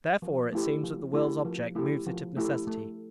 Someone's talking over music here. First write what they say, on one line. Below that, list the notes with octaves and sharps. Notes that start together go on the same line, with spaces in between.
Therefore it seems that the will's object moves it of necessity.
F3
A3 E4 G4
F3
A3 E4 G4
F3
A3 E4 G4
F3
A3 E4 G4
A3